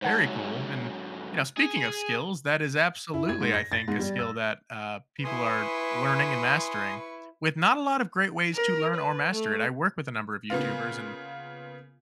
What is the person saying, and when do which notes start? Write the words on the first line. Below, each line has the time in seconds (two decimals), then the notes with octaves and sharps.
very cool, and, you know, speaking of skills, that is absolutely, I think, a skill that, uh, people are learning and mastering, with not a lot of great ways to learn or master it. I work with a number of YouTubers and
0.02 G#2 F#3 C5 F#5 A5
1.57 G#4
3.14 E4
3.29 G#6
3.41 G#2
3.54 A#6
3.72 A6
3.88 G#2
3.99 G3
4.19 E6
5.24 E4 B4 G#5 C6 C#6 D#6
8.54 A#4
8.95 B4
9.32 A3
10.50 C#3 A#3 B3 F4